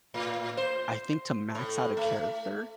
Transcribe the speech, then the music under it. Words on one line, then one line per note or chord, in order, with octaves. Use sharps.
I think to max out a character,
A2
C5
A2
A3